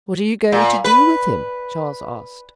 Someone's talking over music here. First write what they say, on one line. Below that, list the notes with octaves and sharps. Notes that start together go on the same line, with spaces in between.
"What are you going to do with him?" Charles asked.
A#2
B4